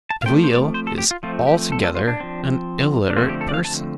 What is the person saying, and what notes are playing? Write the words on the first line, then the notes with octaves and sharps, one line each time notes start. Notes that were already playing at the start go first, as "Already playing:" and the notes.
Delisle is altogether an illiterate person.
A5
F5
F3 A3 C4 G5
C5
D5
C5
A4
G4
F4
F3 A3 C4 F4
G4
A4
A4
F4
D4
F3 C4
D4
D3 F3 A3 C4 F4
G4
A4
D5
F5
A5